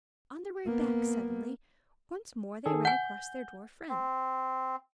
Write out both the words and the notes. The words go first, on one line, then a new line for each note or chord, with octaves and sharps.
On their way back, suddenly, once more they ran across their dwarf friend.
A#3 B3
D#3 G#4 A4
F#5 G#5 G6
C4